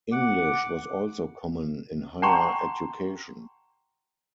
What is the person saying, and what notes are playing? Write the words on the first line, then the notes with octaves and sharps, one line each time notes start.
English was also common in higher education.
F#5 D6
F#5 G5 A5 A#5 C6 C#6